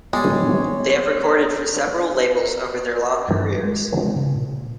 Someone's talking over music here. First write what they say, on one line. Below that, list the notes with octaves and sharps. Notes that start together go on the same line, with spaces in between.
They have recorded for several labels over their long careers.
G3 G#3 B3 G#4 C#5 D5
G2
G#3
G#3
C#3
A#2